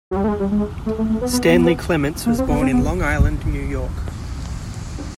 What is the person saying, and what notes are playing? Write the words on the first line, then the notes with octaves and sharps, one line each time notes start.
Stanley Clements was born in Long Island, New York.
F#3
G3
A3
G#3
G3
G#3
A3
A3
A3
B3
B3
B3
A#3
C4
B3
C4
B3